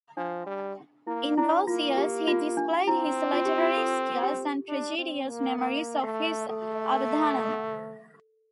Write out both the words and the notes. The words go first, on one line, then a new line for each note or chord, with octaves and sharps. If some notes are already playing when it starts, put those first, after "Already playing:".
In those years he displayed his literary skills and prodigious memory in his Avadhanam.
F3 D4
G3
A#3 E4
D4 E4
A#3 F4
G4
F4
D4
C4 E4
F4
G4
F4
A4
G4
D4
C4
A#3
A#3
A3
A3 A4
A#4
A4